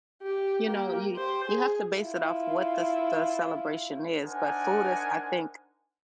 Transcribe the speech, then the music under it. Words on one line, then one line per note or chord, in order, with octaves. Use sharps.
you know, you you have to base it off what the s the celebration is, but, food is, I think,
G4
A#3 G4
G4 C5
G#4
E4 F4
D4 D#4 A#4 C5 F#5 G#5